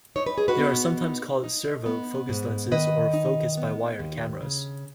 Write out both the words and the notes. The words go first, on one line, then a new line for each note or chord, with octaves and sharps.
They are sometimes called "servo" focus lenses or "focus by wire" cameras.
D#4 C#5
B4
G#4
F#4 B4
B3
D#4
D#4
B3
G#2
D#3 B4 D#5
D#4
B3
D#2
C#3